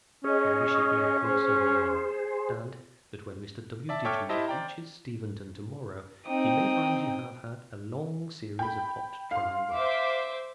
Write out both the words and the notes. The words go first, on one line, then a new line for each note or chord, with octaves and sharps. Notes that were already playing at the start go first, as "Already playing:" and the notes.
I wish it may prove so now, and that when Mr. W. Digweed reaches Steventon to-morrow, he may find you have had a long series of hot dry weather.
C#4 G#4 C#5 D#5
G#4 C5
D5 E5 A5
A4 C#5 E5 G5 D6 F6
E4 G4 C5 D#5 E5 A5
C5 D5 G5 A#5
C4 D#4 G5 D#6
G5 B5
F5 C6
C5 E5 D6